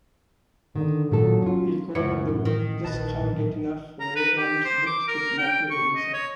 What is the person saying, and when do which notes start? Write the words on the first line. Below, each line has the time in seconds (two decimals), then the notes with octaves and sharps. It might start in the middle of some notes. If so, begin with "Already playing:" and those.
He co-wrote the book "Just Can't Get Enough" for Abrams Books with Matthew Robinson.
0.76 D3 D#3
1.11 A#2 D#3 F#3 A4
1.42 C#4 F4
1.95 C#2 F#2 C#4 E4 C#7
2.29 A1
2.45 D#3
2.85 A#1 B4 D#5 A5
3.19 A1 A#2 F#3
4.00 A#5
4.16 B4
4.38 G4
4.65 C5
4.86 D6
5.08 A#4
5.38 G5
5.71 C#6
5.96 D#5
6.14 C#5